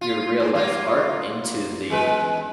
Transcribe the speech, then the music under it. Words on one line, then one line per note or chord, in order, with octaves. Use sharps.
your real-life art into the,
F4
G#2
F#3 A#3 F4
E2 G#3 B4